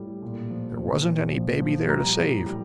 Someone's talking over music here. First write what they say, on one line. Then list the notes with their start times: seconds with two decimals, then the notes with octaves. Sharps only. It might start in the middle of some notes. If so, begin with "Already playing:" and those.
There wasn't any baby there to save.
Already playing: A2 G3
0.22 A#2
0.50 F3
0.78 F3
1.06 A#2
1.33 F3
1.61 F3
1.89 G3 A#5
2.17 A2
2.46 G3